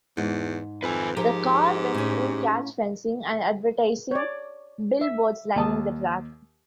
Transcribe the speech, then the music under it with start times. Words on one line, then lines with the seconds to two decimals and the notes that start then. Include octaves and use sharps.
The car went through catch fencing and advertising billboards lining the track.
0.17 E2 G#2
0.83 F2 B4 G#5
1.17 G#2 F3 G4 A#4 A#5
1.94 A2 C#4
4.11 C#5 D5
5.01 E5
5.56 D#2 A5 D#6